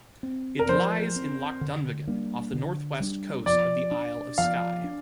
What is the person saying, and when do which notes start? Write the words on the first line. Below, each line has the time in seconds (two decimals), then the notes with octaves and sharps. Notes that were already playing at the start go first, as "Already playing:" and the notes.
It lies in Loch Dunvegan, off the northwest coast of the Isle of Skye.
0.23 C4
0.59 A#4
0.69 F3 C5
1.16 C4
1.61 D3
2.07 G3 A#3 D4
2.54 D3
3.00 G3 A#3 D4
3.46 F3 D5
3.91 D4
4.38 F3 F5
4.84 D4